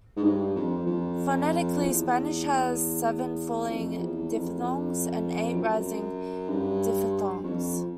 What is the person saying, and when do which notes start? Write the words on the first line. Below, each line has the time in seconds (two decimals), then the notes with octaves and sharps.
Phonetically, Spanish has seven falling diphthongs and eight rising diphthongs.
0.16 G#2
0.23 G2
0.55 F2
0.86 F2
1.81 E2
3.68 F2
3.99 E2
4.30 F2
5.55 F#2
6.49 G2
7.43 F2